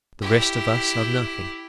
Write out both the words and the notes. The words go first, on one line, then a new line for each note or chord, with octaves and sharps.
The rest of us are nothing.
E4 G4